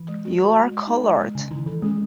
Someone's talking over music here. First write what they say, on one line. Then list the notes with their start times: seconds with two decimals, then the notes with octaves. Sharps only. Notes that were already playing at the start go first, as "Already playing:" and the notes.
You are colored!
Already playing: E3
0.09 G#3
0.25 F#4
0.40 F#4
0.56 G#3
0.72 G#3
0.87 D#4
1.03 G#3
1.20 G#3
1.35 C#3 C#4
1.51 D#3 E4
1.66 E3 A4
1.82 G#3 C#4